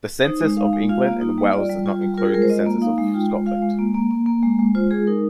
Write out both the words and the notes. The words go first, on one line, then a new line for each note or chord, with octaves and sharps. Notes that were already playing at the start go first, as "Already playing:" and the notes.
The census of England and Wales does not include the census of Scotland.
D#4 C5
G#3
D#4 F5
G#3
F4 F5
A#3
D#4
G3
D#5
F4 D5
G3
F4
G3
F4 A#4
G#4
G#3 A#4
C5
F4 D#5
A#3
D#4 F5
G#3
F4 G5
G#3
F4 F5
G#3
A#3
A#3
A#3
A#3
G#3
G#3
F4 C5
G#3 G#4
D#4 A#4